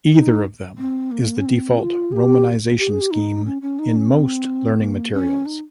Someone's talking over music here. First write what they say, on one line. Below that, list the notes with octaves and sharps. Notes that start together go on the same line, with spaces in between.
Either of them is the default romanization scheme in most learning materials.
D#4
C4
A#3
C#4
C4
G4
F4
G#4
G4
G4
G#4
G4
D#4
C#4
C#4
D#4
C#4
C4
C4
A#3
C#4
D#4